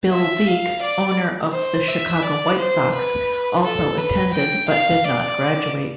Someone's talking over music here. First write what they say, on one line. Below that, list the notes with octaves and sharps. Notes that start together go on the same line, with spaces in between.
Bill Veeck, owner of the Chicago White Sox, also attended but did not graduate.
E5
F5
D5
C5
E5
D5
C5
B4
A4
B4
G5
F5
D5